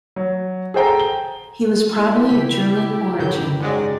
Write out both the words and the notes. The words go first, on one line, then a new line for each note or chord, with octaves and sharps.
He was probably of German origin.
F#3
G#4 A4 C5 G5 A#5
G7
A#3 E4 G4 D5
C#3 B6
A1 F#2 C#3 F#3 F#4 G6
G#2 F#3 G#3 D5